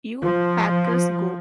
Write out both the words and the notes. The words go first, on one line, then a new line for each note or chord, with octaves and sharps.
You Packers Go!
F3